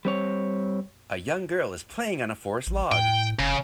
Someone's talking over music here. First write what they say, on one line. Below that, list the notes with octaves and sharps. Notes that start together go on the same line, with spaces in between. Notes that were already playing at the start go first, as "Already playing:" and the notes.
A young girl is playing on a forest log.
G3 C4 C#5
A1
A2 G5
F1 C#3